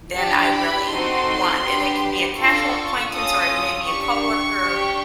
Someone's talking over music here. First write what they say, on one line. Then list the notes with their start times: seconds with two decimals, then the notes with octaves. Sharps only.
than I really want, and it can be a casual acquaintance, or it may be a coworker,
0.16 D4 G4 A5
0.52 B5
0.89 C4 D#4 F#4 A4 C6
1.64 B3 D4 G4
2.38 D4 F4 A4 C#6
3.12 C#4 F4 A4 D#6
3.86 D4 G4 C#6
4.61 D4 G4